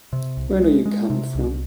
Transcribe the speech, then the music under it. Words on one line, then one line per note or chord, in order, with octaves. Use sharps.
Where do you come from?
C3
C2
G#3
G#3
C3
C2